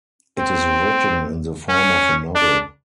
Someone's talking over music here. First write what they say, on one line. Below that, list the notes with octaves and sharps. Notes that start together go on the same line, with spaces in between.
It is written in the form of a novel.
C4
C#4
D4